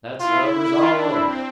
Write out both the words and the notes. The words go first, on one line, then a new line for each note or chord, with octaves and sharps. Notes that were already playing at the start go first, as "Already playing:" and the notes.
That's lovers all over.
E4 F4
E4
D4 F4
C4 E4